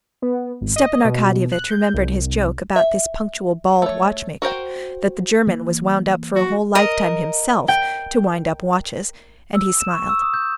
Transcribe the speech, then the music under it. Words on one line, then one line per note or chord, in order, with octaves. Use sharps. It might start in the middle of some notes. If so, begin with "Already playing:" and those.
Stepan Arkadyevitch remembered his joke about this punctual, bald watchmaker, "that the German was wound up for a whole lifetime himself, to wind up watches," and he smiled.
B3
G#1
D#5
B2
F#6
G6
C2
E5
A3 C#5
F#4 A#4 C5 G5
E3 A#3
F#4
A#4 D#5
G5
E6
E7
C#6
E6
D#6
G6